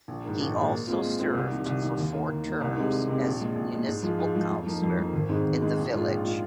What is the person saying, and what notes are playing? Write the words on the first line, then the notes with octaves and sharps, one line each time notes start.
He also served for four terms as municipal councilor in the village.
A#1
G#2 D#3 A#3
A#1
G#2 D#3 A#3
A#2
G#3 C4 F4
A#2
G#3 C4 F4
C2
C3 D#3
C2
C3 D#3
D#2
D#3 A#3
D#2
D#3 A#3
C2
C3 G#3 C4 D#4
C2
C3 G#3 C4 D#4
A#1
A#2 G#3
A#1
A#2 G#3
G#2
F3 G#3 F4
G#2
F3 G#3 F4
F2
F3 A#3 D#4
F2
F3 A#3 D#4
G#1
G#2 G#3 C4 D#4
G#1
G#2 G#3 C4 D#4
A#1
G#2 G#3 F4
A#1
G#3 F4